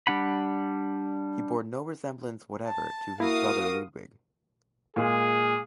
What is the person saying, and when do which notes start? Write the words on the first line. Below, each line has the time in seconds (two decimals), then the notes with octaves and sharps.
He bore no resemblance whatever to his brother Ludwig.
0.07 G3 D4 F#5 B5
2.66 A5
3.20 A#3 E4 F#4 A#4 F5 D#6
4.96 A#2 G#3 G#4